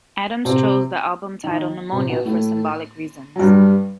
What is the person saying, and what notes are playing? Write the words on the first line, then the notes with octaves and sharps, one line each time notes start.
Adams chose the album title "Pneumonia" for symbolic reasons.
C3 C4
D#3 D#4
C3 C4
B2 B3
A2 A3
F#3
G2 G3